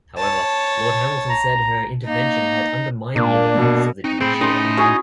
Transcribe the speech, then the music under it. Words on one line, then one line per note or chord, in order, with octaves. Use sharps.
However Lord Hamilton said her intervention had undermined the independence of the judiciary.
C#5 A5
A#5
A#3 D#4
A#2 A#3 D4
B2
C4 D#4
A2 C4 G#4 G5 B5
C#4 D#4 C6
C#4 E4 F#4 G#4